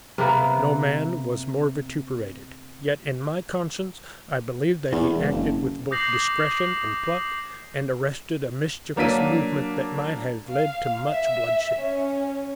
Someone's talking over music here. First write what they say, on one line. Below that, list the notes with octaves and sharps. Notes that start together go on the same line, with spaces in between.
No man was more vituperated; yet, in my conscience, I believe that he acted with both discretion and pluck, and arrested a mischievous movement that might have led to much bloodshed.
C3 A#3 B3
E2
E1
F#1
D6 D#6 G6 A#6 C7 F#7
F#3 A#3 D4 B6 D#7
F5
E5
C#4